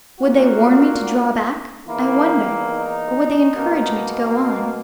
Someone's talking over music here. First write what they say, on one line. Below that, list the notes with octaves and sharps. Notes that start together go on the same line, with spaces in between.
Would they warn me to draw back, I wonder? or would they encourage me to go on?
A#2 A#3 F#4
E2 D#3 A#3 E4
D#4
B2 A#3